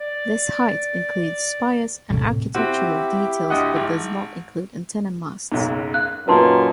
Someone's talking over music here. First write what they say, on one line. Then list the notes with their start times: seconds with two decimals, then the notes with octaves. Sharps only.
This height includes spires and architectural details but does not include antenna masts.
0.01 D5
2.10 A2 C3
2.55 C4 E4 F#4 G4
3.50 D2 D#5 F#5
3.76 G#1
5.52 F#1 B1 G#2
5.94 F5 F#6
6.28 F#2 A#2 A#3 D#4 B4 A5 C6